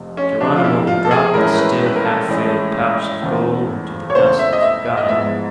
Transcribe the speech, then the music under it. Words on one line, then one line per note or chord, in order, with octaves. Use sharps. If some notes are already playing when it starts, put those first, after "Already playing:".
Geronimo dropped the still half-filled pouch of gold into the dust and forgot it.
Already playing: F1 F2 C3
C#4
F1 F2 C3 D4
F4
E4
F4
A4
G#4
A2 E3 G#3 C#4 E4 A#4
A#4
B4
B4
A#4
A4
A2 E3 G#3 C#4 E4
E2 C#3 E3 A3 C4
C#5
E2 C#3 E3 A3 C4 C5
E5
D#5
E5
E5
D#5
G#2 F3 G#3 B3 E4 E5